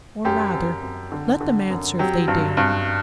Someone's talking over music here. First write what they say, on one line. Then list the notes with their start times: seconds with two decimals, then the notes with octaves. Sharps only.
Or, rather, let them answer if they dare.
0.25 F#2 G4
0.54 F#2
0.83 F#2
1.12 D3
1.41 D3
1.70 F#2
1.99 F#3 G4
2.28 G2
2.57 G2